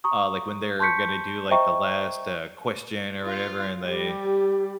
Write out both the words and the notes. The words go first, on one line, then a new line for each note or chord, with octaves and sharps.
Uh, like, when they're gonna do, like, the last, uh, question or whatever, and they,
A#5 C#6 D#6
A5 C6 C#6 G6 B6 C#7
C5 D#5 E5 G5 A#5 C#6
F4 F5
G3 G4